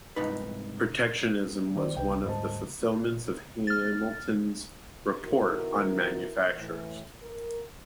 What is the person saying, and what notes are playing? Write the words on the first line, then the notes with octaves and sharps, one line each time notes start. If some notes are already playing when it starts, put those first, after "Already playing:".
Protectionism was one of the fulfillments of Hamilton's Report on Manufactures.
C2 G#2 D#4 B4
D#3 C5 D5
C2 B4 G5
D2 G#2 G3 C5 D#5 A5
F6 A6
B2 D#3 E4 F#4 A#4
A2 E3
A#4